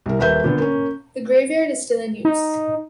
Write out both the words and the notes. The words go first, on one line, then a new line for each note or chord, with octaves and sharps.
The graveyard is still in use.
C2 A#4
D#1 A#3 B4 E5 G6
A#2 D3 B3
A#3 C#4
D#4